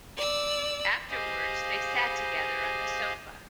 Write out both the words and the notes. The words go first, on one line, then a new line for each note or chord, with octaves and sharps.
Afterwards they sat together on the sofa.
D5 E6
G4 G#4 C5 D#5 F5 G#5